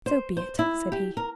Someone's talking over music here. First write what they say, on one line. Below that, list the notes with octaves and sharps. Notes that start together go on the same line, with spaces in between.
"So be it," said he.
C5
C5
E4
G4
A#4